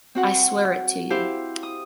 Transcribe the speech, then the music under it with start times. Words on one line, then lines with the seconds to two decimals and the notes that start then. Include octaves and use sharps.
I swear it to you.
0.15 C4 F#4 F#5
1.10 E4 G4 C5 F5
1.63 D#6